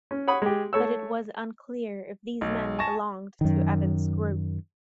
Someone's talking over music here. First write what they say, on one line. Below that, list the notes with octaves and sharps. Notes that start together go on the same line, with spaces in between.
But it was unclear if these men belonged to Evans' group.
C#4
C#5 F#5 B5 D#6
G#3 G4
A3 C#5 E6
B1
G#5 A5 C#6 A#6 E7
F#2 D#3